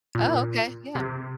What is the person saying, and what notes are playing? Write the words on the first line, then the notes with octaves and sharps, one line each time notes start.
Oh, okay, yeah.
A#2
C3